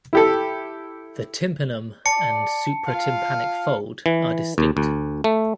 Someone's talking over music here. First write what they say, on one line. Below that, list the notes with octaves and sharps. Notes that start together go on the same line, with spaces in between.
The tympanum and supratympanic fold are distinct.
E4 G4 A4
D5 A5 C#7
F4 F5
E3
D#2
D2
A3